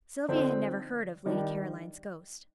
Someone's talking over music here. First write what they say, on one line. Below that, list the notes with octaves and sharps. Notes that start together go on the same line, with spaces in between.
Sylvia had never heard of Lady Caroline's ghost.
D3 F3 C4 D#4
D#3 G3 D4